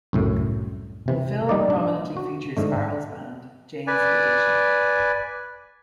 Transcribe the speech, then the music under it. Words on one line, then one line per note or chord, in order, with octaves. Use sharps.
The film prominently features Farrell's band Jane's Addiction.
C2 F#2 A2
C3 E3
G3 D#4 D5
D4
F#4
G#2 D3 A3
B4 D5 G#5